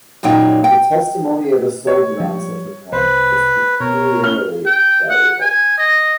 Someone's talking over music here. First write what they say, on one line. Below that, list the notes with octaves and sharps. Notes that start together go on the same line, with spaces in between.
The testimony of a soldier on such a point is peculiarly valuable.
F#2 A#2 F#3 D#4 G5
G5
C#5
F3 G3
C2 B4 C5
B2 A#4 C#5
C#4 F6 G7
G5
F#5
G#5
D#5